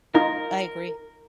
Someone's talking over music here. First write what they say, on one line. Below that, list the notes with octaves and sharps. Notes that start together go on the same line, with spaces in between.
I agree.
D#4 F4 A#4